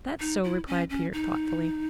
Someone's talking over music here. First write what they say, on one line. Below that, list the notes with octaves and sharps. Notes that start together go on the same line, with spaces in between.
"That's so," replied Peter thoughtfully.
D#4
E4
C#4
C#4
D#4